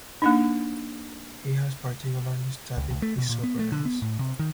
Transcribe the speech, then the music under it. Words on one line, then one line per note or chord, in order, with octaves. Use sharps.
He has particularly studied isoprenoids.
A#3 D4 D#4
C#2
C#2
A3
B2
A#2
B3
A3
D3
B3
A2
C3
D#3